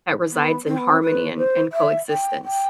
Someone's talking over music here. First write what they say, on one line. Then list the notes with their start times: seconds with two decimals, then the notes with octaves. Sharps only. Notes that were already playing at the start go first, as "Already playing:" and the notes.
that resides in harmony and and coexistence.
0.30 B3
0.66 C4
0.78 B3
0.89 C4
1.02 B4
1.37 C5
1.72 E5
2.09 G5
2.44 G5